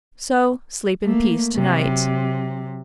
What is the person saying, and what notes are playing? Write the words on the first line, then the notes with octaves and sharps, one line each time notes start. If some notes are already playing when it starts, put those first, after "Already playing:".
So sleep in peace to-night.
A3 A#3
C3 F#3